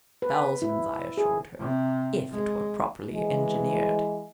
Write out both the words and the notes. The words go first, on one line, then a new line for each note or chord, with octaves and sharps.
"Thousands," I assured her, "if it were properly engineered."
B4
E4
G#4
C3
G#3
E3 G#3